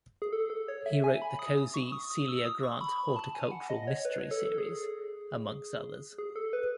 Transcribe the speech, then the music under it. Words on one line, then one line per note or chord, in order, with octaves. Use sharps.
He wrote the cozy Celia Grant Horticultural mystery series, amongst others.
G#4
A4
A4
C#5
E5
G#5
B5
D#6
D#6
C#6
D#6
D#6
E6
D#6
C#6
B5
B5
A5
G#5
F#5
D#5
C#5
B4
C#5
A4
A4
G#4
G#4
A4
B4